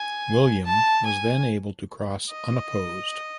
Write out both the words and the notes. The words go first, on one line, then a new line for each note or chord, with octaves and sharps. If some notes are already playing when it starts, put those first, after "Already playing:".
William was then able to cross unopposed.
Already playing: G#5
A5
G#5
D#5